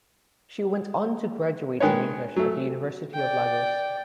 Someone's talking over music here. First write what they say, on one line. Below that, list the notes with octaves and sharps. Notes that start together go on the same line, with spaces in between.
She went on to graduate in English at the University of Lagos.
D#3 G#3 B4 C#5
F#3 A3
D5 G5